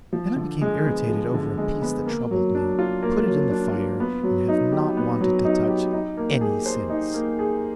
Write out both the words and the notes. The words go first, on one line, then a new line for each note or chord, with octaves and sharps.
Then I became irritated over a piece that troubled me, put it in the fire, and have not wanted to touch any since.
F3
D3
G#3
B3
F3
D3
G#3
B3
A#3
F#3
D4
F4
A#3
F#3
D4
F4
B3
F#3
D#4
G4
B3
F#3
D#4
G4
D#4
A#3
G#4
C5
D#4
A#3
G#4